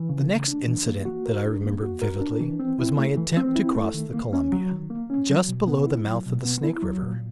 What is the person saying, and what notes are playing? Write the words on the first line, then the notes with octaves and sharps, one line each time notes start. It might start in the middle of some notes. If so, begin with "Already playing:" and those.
The next incident that I remember vividly was my attempt to cross the Columbia, just below the mouth of the Snake River.
Already playing: E3
C#3
A3
D4
E3
A#3
F#4
A#4
D4
A#3
F#4
A#4
D4
E3
C4
E4
A3
E3
C4
E4
A3
D#3
A#3
C#4
F#3
D#3
A#3
C#4
F#3
B2
B3
E4
F#3
B2
B3
E4
F#3
A#2